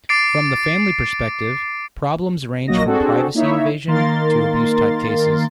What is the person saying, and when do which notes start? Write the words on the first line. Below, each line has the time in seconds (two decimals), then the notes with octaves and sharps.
From the family perspective, problems range from privacy invasion to abuse type cases.
0.09 D6 A6 C7 D7
2.67 A#1 F#3 A#3 F#4 D#5 A#6
2.86 C4 D4 F#4 G#4 A4
3.35 A#3 D#4 E4 C#5 E5
3.88 D#3 A#3 A#4 C6 A6